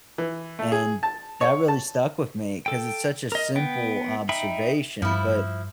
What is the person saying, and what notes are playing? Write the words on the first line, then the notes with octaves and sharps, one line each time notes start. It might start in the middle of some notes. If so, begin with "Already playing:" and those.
And that really stuck with me 'cause it's such a simple observation, but
E3
A3
G#4
A5
C#5
A5
A4 G5
A#4 D#5
B3 G5
D#4 E5 G5 B5
G2 F3 E4